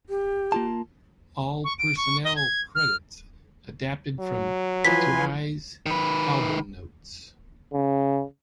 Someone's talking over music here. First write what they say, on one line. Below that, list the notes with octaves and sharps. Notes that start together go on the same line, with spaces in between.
All personnel credits adapted from "Dry"s album notes.
G4
A#3 F4 A5
C#6
D7
C#6
D#5
G#6
F6
F#3
E3 F3 B4 G#5 C6 B6
D#3 B4
C#3